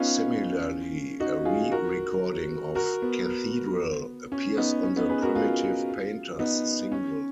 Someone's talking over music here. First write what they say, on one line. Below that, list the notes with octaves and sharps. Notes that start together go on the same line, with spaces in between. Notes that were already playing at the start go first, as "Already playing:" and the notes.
Similarly, a re-recording of "Cathedral" appears on the "Primitive Painters" single.
Already playing: B3 C#4 D#4 F4
D#4 F#4
F4 G#4
F#4 A#4
F#4 A#4
B3
C#4
B3 D#4
C#4
B3 D#4
G#4 B4
F#4 A#4
F4 G#4
B3 D#4
C#4